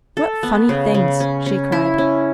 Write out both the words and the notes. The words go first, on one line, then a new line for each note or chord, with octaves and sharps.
"What funny things!" she cried.
A4
B3
C#3
C#3
C#4
C#4
E4
C#4